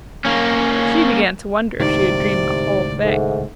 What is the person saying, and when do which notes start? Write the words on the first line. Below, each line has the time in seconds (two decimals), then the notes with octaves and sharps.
She began to wonder if she had dreamed the whole thing.
0.25 A#3 C#4
1.80 C#2 A2 C3 D#3 D#4 D5
3.04 G#2 A4 E5 F#5